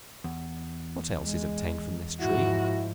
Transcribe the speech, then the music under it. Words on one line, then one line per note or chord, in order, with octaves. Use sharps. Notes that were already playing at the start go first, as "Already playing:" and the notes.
What else is obtained from this tree?
E2
G#3
G#2 F3 E4 F#4